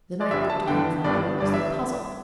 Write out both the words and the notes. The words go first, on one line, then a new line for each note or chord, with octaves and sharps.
The knight looked at him for a moment as though puzzled.
D5
G1 G2 G3 E5
A5
G2 D3 B3 D4 G5
G1 G2 G3 B3 D4 D5
G1 G2 G3 D4 D5
E5